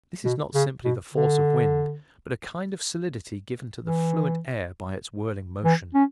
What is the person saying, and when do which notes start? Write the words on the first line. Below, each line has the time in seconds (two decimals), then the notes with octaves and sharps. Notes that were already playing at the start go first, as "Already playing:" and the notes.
This is not simply the force of wind, but a kind of solidity given to the fluent air by its whirling motion.
0.24 B2
0.54 C#3
0.84 B2
1.14 D3
3.85 E3
5.65 E3
5.94 C#4